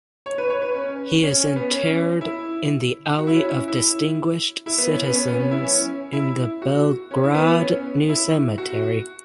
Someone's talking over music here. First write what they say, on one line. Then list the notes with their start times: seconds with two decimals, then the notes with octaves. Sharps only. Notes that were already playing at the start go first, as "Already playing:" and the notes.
He is interred in the Alley of Distinguished Citizens in the Belgrade New Cemetery.
0.26 C#5
0.38 B4
0.50 C#5
0.62 B4
0.74 C#4
1.23 C#4
1.40 C#4
1.56 B3
1.72 C#4
2.21 E4
3.19 F#4
3.27 E4
3.36 C#4
3.44 E4
3.68 E4
4.66 E4
4.78 B3
4.91 C#4
5.03 B3
5.15 C#4
5.28 B3
5.39 C#4
5.51 E4
5.64 C#4
6.13 E4
6.62 F#4
7.11 C#4
7.24 E4
7.35 B3
7.47 B3
7.60 C#4
8.09 E4
8.58 F#4